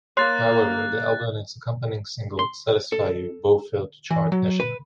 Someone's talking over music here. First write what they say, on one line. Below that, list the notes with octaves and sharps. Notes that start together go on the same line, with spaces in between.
However, the album and its accompanying single "Satisfy You" both failed to chart nationally.
A#3 C#5 C6 F#6 A6 C7
C6
A4
E3
F#3
B4